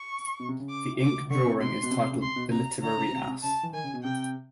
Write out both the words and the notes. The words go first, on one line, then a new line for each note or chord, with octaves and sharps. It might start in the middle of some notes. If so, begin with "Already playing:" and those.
The ink drawing is titled "The Literary Ass".
Already playing: C#6
B2
C3
C#3
D6
D6
D3 C#6
C3
B2
C3 C6
B2
C3
C3
C#3
C3 C6
B2
C3 A#5
D3 A#5
C#3
C3
C3
C#3 A5
E3
D#3 G#5
C#3
B2
C3 G5